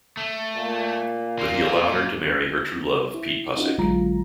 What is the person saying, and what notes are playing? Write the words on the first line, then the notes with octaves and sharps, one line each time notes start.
But he allowed her to marry her true love Pete Pussick.
A3
A#2
A#3 F4
E4
C#4 D#4 F4 F#4
A#1 D3 F#3 G#3 F4 A#5